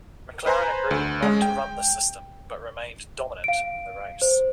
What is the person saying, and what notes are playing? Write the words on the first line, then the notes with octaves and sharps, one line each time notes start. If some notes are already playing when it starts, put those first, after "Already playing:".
McLaren agreed not to run the system, but remained dominant in the race.
B4 C5 G#5 A#5 C6
D2
G#3 C#4
G5
F5 D7
C5